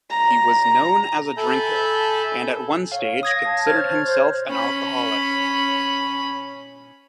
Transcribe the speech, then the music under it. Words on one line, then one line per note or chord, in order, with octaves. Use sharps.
He was known as a drinker, and at one stage considered himself an alcoholic.
A#5
A4 E5 G#5 A5 B5 G6
C#5 F5
F5 D#6 G#6 A#6
A5
C5 C#5 F6 G#6 A6
C5
C#4 B5